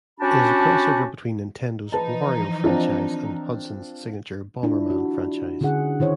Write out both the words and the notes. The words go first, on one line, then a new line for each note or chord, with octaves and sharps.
It is a crossover between Nintendo's Wario franchise and Hudson's signature Bomberman franchise.
C#4 D4 F#4 G4 A5 B5
E3 F3 D#4 B4 A5
C4 D4 F4
D4 E4 F4
F#4
D3 C#4 E4 G#4 F#5
D#3 E4 C5 C#5